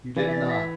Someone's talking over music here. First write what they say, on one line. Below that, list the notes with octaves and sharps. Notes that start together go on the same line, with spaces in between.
You did not!
E3 D5
E5
D5
E5